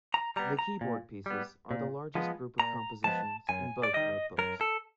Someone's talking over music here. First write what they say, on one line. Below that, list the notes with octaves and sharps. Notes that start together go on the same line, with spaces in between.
The keyboard pieces are the largest group of compositions in both Notebooks.
A#5
G3 B3 A#5
A#5
A#2
G3 B3
A#2
F3 G#3 B3
A#2 A#5
F3 G#3 B3 A5
F#2 G#5
D5
D#3 G3 D#5
F#2 A#4
A4